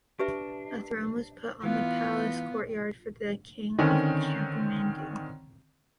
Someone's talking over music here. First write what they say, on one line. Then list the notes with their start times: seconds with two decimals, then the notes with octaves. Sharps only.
A throne was put on the palace courtyard for the king of Kathmandu.
0.19 D4 G4 B4 E5
1.63 E3 B3 F4
3.78 D3 D#3 C4 C#4